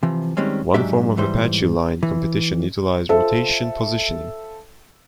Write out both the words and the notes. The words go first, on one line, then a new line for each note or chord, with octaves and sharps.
One form of Apache line competition utilized rotation positioning.
C3 E3 F3
D#3 G3 G#3 C4 C#4
G#2 F#3 G#3 D4 G4 E5
G#2 E3 G3 C5
E3
F4 A4 C5 E5